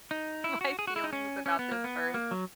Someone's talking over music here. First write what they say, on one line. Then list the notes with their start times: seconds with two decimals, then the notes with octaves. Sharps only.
my feelings about this first,"
0.11 D#4
0.44 E4
0.61 F#4
0.79 G#4
0.87 F#4
0.96 E4
1.04 D#4
1.13 C#4
1.46 C#4
1.59 B3
1.71 A#3
1.84 B3
2.14 A#3
2.31 F#3